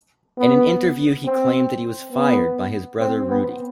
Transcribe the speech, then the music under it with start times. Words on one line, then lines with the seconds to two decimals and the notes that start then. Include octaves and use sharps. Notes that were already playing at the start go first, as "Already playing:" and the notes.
In an interview he claimed that he was fired by his brother Rudy.
0.38 B3
1.25 C4
2.12 B3
3.00 C4
3.29 B3